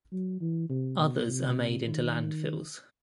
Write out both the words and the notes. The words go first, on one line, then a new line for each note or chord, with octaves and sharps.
Others are made into landfills.
F#3
E3
C3
B2
C3
D#3